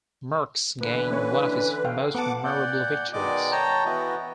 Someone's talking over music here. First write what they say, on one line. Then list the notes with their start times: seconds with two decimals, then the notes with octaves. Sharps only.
Merckx gained one of his most memorable victories.
0.81 D3 E3 A#3 B4
1.11 A#3 C#4 C#5
1.85 A4 F5 G5
2.15 B3 F#5 A5 D6
2.44 A#2 D5 F#5 G6
3.13 B2 D#3 G#3 D5 D#5 D6
3.52 C#5 G5 A5 A#5
3.85 E3 B3 E4 F#4 D#5